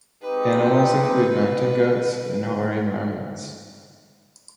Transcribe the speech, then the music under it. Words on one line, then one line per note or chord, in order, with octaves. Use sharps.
Animals include mountain goats and hoary marmots.
G#3 C4 D#4 G4 B4